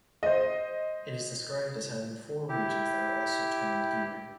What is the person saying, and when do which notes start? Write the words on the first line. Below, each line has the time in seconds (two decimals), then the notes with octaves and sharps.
It is described as having four regions that are also termed "gyri".
0.23 C5 D#5
2.49 E4 G4